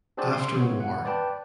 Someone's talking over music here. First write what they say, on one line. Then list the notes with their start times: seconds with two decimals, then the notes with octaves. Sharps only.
After war.
0.17 C4 D4 F#4 G#4 C5 D5
0.33 C6
0.57 B3 C#5
0.80 F#5
1.05 B4 D5 G5 A5